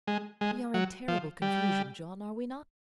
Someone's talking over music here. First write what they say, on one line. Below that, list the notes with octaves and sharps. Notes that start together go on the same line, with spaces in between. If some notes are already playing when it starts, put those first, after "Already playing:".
"We are in terrible confusion, John, are we not?"
G#3
G#3
F#3
F3
G3